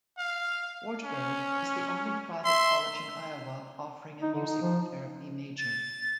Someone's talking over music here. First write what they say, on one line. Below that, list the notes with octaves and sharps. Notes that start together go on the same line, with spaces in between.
Wartburg is the only private college in Iowa offering a music therapy major.
F5
C#4
E5 C6
D#4
D3
D#4
F3
A6